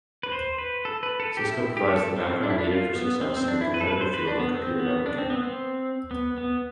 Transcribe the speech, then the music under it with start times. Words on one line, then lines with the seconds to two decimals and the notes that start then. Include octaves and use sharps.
Cisco provides the background needed for success in the competitive field of computer networking.
0.23 B4
0.32 C5
0.58 B4
0.85 A4
1.03 B4
1.20 A4
1.37 G4
1.50 E4
1.77 G4
1.90 A4
2.16 C4
2.43 D4
2.50 E4
2.58 D4
2.69 F4
2.96 B3
3.21 C4
3.37 C4
3.48 D4
3.61 E4
3.74 B4
3.81 A4
3.87 B4
4.01 C5
4.14 B4
4.27 D4
4.40 B3
4.54 C4
4.79 B3
5.06 D4
5.18 C4
5.30 B3
5.43 C4
6.11 B3
6.38 B3